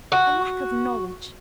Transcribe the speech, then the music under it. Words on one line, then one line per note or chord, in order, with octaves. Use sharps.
A lack of knowledge.
F#4